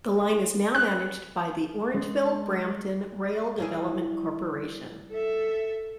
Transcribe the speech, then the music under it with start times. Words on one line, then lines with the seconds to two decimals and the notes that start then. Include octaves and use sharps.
The line is now managed by the Orangeville Brampton Rail Development Corporation.
0.75 F#6
1.94 G#3
3.58 G3 E4 G#4
5.11 A4 E5